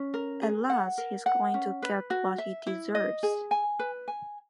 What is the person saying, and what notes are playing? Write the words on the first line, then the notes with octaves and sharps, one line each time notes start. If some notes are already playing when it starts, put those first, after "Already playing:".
At last he's going to get what he deserves!
Already playing: C#4
A#4
G#4
F#5
A#4
F#5
C#4
B4
F#4
E5
E4
D#5
G#4
G#5
B4
G#5